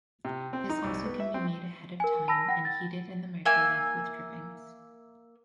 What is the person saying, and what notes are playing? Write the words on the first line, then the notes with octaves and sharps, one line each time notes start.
This also can be made ahead of time and heated in microwave with drippings.
C3
C4
D#4
C2
B3
E5
C4
A#4 G#5
A5 B5 E6 A#6
F#5 G5 A#6
A6
A#3 E5 G#5